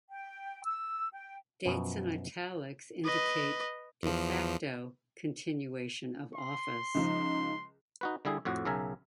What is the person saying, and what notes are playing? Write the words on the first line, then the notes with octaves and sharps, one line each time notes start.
Dates in italics indicate "de facto "continuation of office.
G5
E6
G5
F#2 B2 F3
B4 D#5
E2 F3
C6
C#2 F3 D#4
D#4 F#4 B4
D3 G3 E4 G#4
F2 A2 F#4
B1 C#3 A#4 E5 G#5